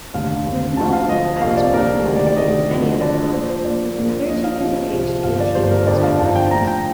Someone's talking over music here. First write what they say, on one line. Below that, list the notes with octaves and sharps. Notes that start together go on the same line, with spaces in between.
With Milton I was more familiar than with any other poet, and from thirteen years of age to eighteen he was my preference.
F1 D#2 D3 F5
F1 D#2 D3
D2 D3 F3 A5
F5
D2 D3 F3 D#5
C2 A#2 F3 F5
D5
C2 A#2 F3 A#4
D2 C3 D#3
D5
D5
D2 C3 D#3 D#5
D2 D3 F3
D2 D3 F3 D5
D5
A#1 A#2 F3 C5
C5
A#1 A#2 F3 D5
A#1 A#2 F3
A#1 A#2 F3 D#5
F5
C2 C3 F3
C2 C3 F3
G1 G2 F3 F5
D5
G1 G2 F3 C5
A#4
G1 F2 D3 F3 D5
F5
G1 F2 D3 F3 A5
G5
A#1 A2 F3 A#5
G5